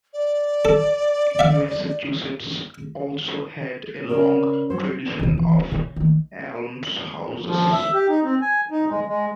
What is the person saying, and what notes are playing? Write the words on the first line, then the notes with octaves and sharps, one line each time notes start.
Massachusetts also had a long tradition of almshouses.
D5
A4
E5 F5
C#3 A#4 D5
F#3 C5
D#2 C3
E3
C#4
C#3
D#3 A3
F3
E5
G4
D#4
C4
G#5
D#4
G#3
G#3